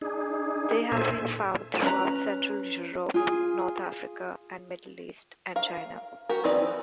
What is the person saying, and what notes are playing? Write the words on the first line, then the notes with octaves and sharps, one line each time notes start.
They have been found throughout central Europe, North Africa, the Middle East and China.
D4 D#4 G#4
A#2 A4 C5 E5 G#5
C#4 B4 A#5
F4 G#4
A#4 F5
F#4 G4 A#4
E3 C4 D#4 B4 D5